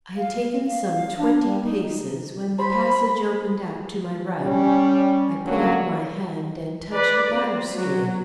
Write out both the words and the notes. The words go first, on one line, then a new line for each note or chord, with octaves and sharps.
I had taken some twenty paces when the passage opened out to my right. I put out my hand and touched a balustrade.
F5
F5
F5
D4
G3
D#4
C5 B5
G3 C#4
F#2 D3 F#3 A#3
B4 D5
C4
F#3